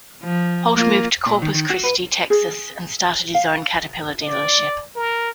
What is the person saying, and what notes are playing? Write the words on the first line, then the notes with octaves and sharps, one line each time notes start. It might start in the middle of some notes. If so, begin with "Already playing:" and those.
Holt moved to Corpus Christi, Texas and started his own Caterpillar dealership.
F3
A#3 F4
A#2
D#3
D#3
F#4
B4
G#4
F5
D5
A#4